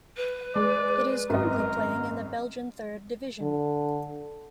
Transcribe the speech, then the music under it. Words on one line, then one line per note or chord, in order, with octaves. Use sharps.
It is currently playing in the Belgian Third Division.
B4
G#3 D5
G#1 F#2 A#4 D#5
D3